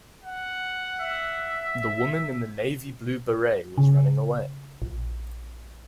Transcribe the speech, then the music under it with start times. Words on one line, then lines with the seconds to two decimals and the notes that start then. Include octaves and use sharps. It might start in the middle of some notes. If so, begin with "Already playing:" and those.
The woman in the navy blue beret was running away.
0.23 F#5
1.00 E5
3.78 C#3
4.82 A#1